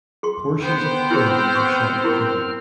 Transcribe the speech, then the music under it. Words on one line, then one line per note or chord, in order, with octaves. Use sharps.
Portions of the film were shot in Cuba.
G#4 C6
B3 C5 G5
C4 E4 G4 G#4 F6
C#6
E4 G4 A#4